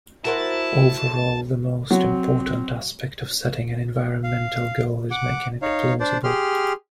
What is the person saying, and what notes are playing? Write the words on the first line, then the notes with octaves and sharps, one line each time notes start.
Overall, the most important aspect of setting an environmental goal is making it plausible.
E4 F#4 A#4 C5 A5
F#3 C4
F5
F#5 D6
D#4 C#5 F5
D4 C5 D5
G4 G#4 C6 F6